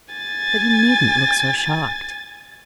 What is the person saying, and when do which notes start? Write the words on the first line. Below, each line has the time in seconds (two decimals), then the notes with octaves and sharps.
But you needn't look so shocked.
0.14 G#5 A6